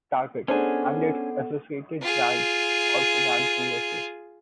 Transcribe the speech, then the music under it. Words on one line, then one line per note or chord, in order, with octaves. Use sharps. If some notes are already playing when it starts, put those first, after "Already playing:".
Target, and its associated brands, also ran some races.
B3 C#4 D4 G#4 A4 C5 F#5 G#5
F4 G#4